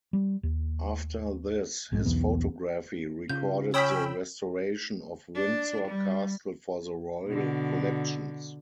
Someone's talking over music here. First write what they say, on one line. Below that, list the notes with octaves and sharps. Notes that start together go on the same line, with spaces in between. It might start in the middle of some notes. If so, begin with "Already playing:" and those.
After this, his photography recorded the restoration of Windsor Castle for the Royal Collections.
G3
D#2
A#1 G#2 D3 G#3
E1 B1 E2 B3
C#3 F4 G6
C#4 C#5 G5 B5 D#6 E6 B6
D4
G3
B2 D3